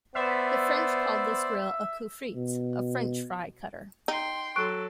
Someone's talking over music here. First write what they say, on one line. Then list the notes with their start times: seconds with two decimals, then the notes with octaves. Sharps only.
The French called this grille a "coupe-frites": a "french-fry cutter".
0.15 B3 C5 D5 E5
2.35 B2
4.08 D#4 G5 C6
4.56 F#3 A4 C#6 F#6 D7